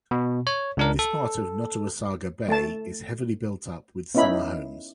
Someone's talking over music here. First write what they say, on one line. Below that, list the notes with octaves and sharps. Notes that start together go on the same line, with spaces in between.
This part of Nottawasaga Bay is heavily built up with summer homes.
B2
C#5
C#2 D4 A#4
A4
A3 A5
B3 C#4 D#4 E4 B5